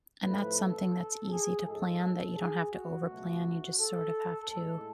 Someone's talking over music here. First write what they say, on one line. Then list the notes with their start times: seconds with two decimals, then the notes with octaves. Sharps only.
And that's something that's easy to plan that you don't have to overplan, you just sort of have to
0.23 A2 F3 A3 B4
0.58 A4
1.29 G#4
1.64 G#2 F3 G#3 A4
2.36 G#4
2.72 F#4
3.07 C#2 B2 F#3 A3
3.78 A4
4.49 A2 G#3 A4